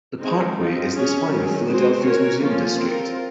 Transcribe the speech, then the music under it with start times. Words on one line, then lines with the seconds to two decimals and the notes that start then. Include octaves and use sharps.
The Parkway is the spine of Philadelphia's Museum District.
0.18 G#3 C4 D#4
0.55 F3 C4 D#4
0.92 C#4 G#4 C#5
1.30 D#3 F#3 C#4 G#4
1.66 G#3 C4 F#4 C5
2.04 C#4 F#4 A#4 C#5
2.41 F3 A#3 C#4 F4
2.78 C4 F4 A#4